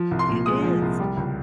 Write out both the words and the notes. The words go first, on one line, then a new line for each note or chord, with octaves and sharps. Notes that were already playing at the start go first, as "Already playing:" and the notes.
It is.
Already playing: F3
C2
C6
A#2
G#3 D#6
F3
C2
G3
C#2